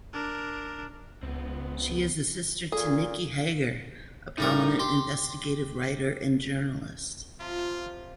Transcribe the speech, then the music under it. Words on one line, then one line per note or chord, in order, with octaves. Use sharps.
She is a sister to Nicky Hager, a prominent investigative writer and journalist.
D4 A#4
C#2 B3 C4
A#2 G#4 A4
A2 G3 D#4 A#4
G4 C6
C3 F3 F4